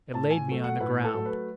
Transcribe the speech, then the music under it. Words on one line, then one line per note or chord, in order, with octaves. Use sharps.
It laid me on the ground.
A2 A5
G#5
F#3 A3
F#5
A2 B4
A4
F#3 A3
B4